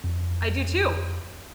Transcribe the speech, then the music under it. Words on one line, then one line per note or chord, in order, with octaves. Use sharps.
I do too.
F2